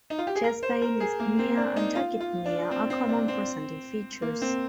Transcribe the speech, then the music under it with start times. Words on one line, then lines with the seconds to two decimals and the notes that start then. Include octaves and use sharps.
Chest pain, dyspnea, and tachypnea are common presenting features.
0.10 D#4
0.19 F4
0.27 G4
0.36 G#4
0.44 A#4
0.63 C5
0.82 A#4
1.00 G#4
1.20 A#3
1.39 C4
1.57 D4
1.76 D#4
1.95 F4
2.20 F4
2.46 D4
2.71 C4
2.90 C4
3.09 D4
3.28 C4
4.22 A#3
4.42 C4